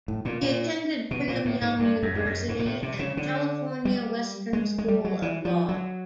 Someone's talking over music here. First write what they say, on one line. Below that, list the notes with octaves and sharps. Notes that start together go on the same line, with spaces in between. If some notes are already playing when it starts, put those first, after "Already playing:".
He attended Brigham Young University and California Western School of Law.
A2
A#2
A#2
B2
A#2
A2
G#2
G2
F#2
G2
F#2
G#2
A#2
A2
C3
C#3
D3
G3
G#3
G#3
G3
F#3
E3
F3
F#3